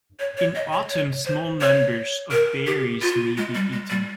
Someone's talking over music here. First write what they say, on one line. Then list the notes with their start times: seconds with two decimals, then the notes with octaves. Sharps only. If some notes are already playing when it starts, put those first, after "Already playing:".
In autumn small numbers of berries may be eaten.
0.19 C#5
0.37 C#5
0.55 D#5
0.72 C#5
0.90 C#5
1.25 C5
1.61 C#5
2.31 A#4
2.67 G4
3.02 F4
3.37 G#3
3.55 G3
3.73 G#3
3.90 G3